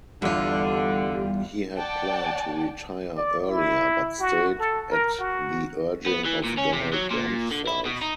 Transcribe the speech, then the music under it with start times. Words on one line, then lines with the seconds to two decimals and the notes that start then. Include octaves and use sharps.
He had planned to retire earlier, but stayed at the urging of Donald Rumsfeld.
0.22 E2 D3 G3 F4
1.79 D5 F#5 G5 A5
3.17 D5
3.48 E4
4.20 F#4
4.59 A4
4.91 A#4
5.20 F#4
6.07 B3
6.26 E3
6.45 A#2
6.58 C#4
6.73 C3
6.94 F#3
7.11 A#2
7.51 D3
7.67 E4
7.85 B2
8.01 D#4